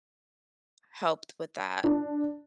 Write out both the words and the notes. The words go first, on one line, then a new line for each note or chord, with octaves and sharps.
helped with that.
D4